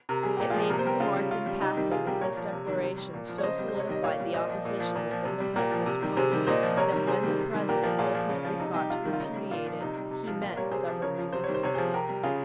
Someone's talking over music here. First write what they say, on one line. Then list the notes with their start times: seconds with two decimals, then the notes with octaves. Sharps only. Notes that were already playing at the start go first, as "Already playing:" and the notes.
It may be remarked in passing that this declaration so solidified the opposition within the President's party that when the President ultimately sought to repudiate it, he met stubborn resistance.
0.09 C3 A#4
0.23 G3 G#4
0.37 A#2 G4
0.50 F3 F4 G#4
0.70 C3 A#4
0.79 C5
0.85 G3 G4 A#4
1.00 C#3 F4 G#4
1.15 G3
1.31 C#3 F4
1.46 G3
1.61 C3 D#4 G4
1.76 D#3 G3
1.91 C3 F4 G#4
2.07 G3 G4 A#4
2.21 A#2 A#4 C#5
2.37 F3
2.53 C3
2.67 D#3 G3
2.83 C3
2.97 G3
3.14 A#2
3.28 F3
3.38 C#5
3.43 C#3 C5 D#5
3.59 G3
3.68 C5
3.74 C3
3.80 C#5
3.89 D#3 G3 D#5
4.04 A#2 C#5 F5
4.20 G3
4.34 A#2 C5 D#5
4.50 F3
4.65 A#2
4.80 F3
4.96 A#2
5.11 F3
5.25 C3
5.40 G3
5.56 A#2 G4 A#4
5.71 F3
5.86 C3
6.02 D#3 G3
6.17 C3 G#4 C5
6.32 D#3 G3
6.47 A#2 C5 D#5
6.63 F3
6.77 C3 A#4 C#5
6.92 D#3 G3
7.07 C3 G#4 C5
7.23 D#3 G3
7.39 C3
7.53 D#3 G3
7.69 A#2 G4 A#4
7.83 F3
7.98 A#2 F4 G#4
8.15 F3
8.29 C#3
8.45 F3
8.60 C3 D#4
8.74 G3 D#4 G4
8.90 C3 F4
9.05 D#3 G3
9.13 F4
9.20 C#3 D#4
9.36 G3
9.51 A#2 F4
9.66 F3
9.80 C3 D#4
9.97 G3
10.11 C3
10.27 F3
10.42 A#2 F4
10.56 G3 A#4 C#5
10.72 C3 G#4 C5
10.88 F3
11.02 C#3 A#4 C#5
11.18 F3
11.33 C3 C5
11.44 D#3 G3 C#5
11.54 C5
11.63 C3 C#5
11.74 F3 G#4 C5
11.94 C3 G4 A#4
12.09 G3
12.23 C#3 F4 G#4